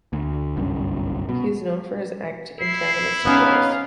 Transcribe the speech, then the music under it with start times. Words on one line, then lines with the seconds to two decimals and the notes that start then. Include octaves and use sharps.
He is known for his antagonistic roles.
0.13 D2
0.57 G1 C2 F#2
1.29 B2
2.61 E4 C7
3.25 C3 B3 C#4 D#4 F5